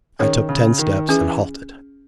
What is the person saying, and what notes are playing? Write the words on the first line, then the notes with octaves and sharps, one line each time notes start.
I took ten steps, and halted.
D#3 C#4 G#4 C#5
C#3
D#3
E3 C#4 G#4